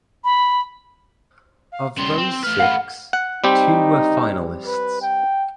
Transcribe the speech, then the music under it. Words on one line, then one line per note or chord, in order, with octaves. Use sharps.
Of those six, two were finalists.
B5
F5
C#3 G3 C6
C4
A3 B4 F6
F5 F#5
F#5
G3 C4 D#4 G4
B4
G5